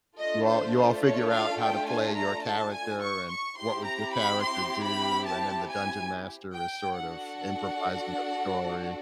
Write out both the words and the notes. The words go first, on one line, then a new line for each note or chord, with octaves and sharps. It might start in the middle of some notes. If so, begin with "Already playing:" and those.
you all you all figure out how to play your character and what would your character do, and then the Dungeon Master is sort of improvising a story.
A3 D4 F4 A4 D#5
C5
C5
C#5
F5
G5
G#5
A#5
A5
G#5
C#6
C#6
C4 E4 G4 C6
A#5
B5
C6
B5
A5
G#5
G5
D4 F#4 A4 F#5